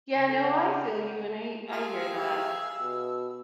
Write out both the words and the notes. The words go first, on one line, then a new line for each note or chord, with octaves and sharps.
Yeah, no I feel you, and I I hear that.
C#3
A4
F#5
F6
G6
F4 G4 G#4 E5 F5
E6
B2